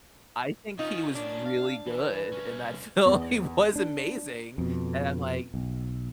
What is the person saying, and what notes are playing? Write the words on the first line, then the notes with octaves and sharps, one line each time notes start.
I think he was really good in that film, he was amazing, and I'm like
D#3 C#4 D#4 F4
D4
F5
E3 B4
C2 C#4
E2
D4
F2 B2
B1